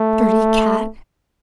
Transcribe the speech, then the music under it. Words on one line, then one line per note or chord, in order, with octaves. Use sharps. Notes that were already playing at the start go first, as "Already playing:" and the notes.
'Dirty cat!
Already playing: A3